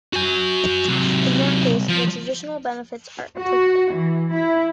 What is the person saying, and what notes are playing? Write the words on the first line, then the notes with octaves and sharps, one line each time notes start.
In that case, the traditional benefits are applicable.
F#4 G#5
C3 F#3
F3
F#4
E3
E4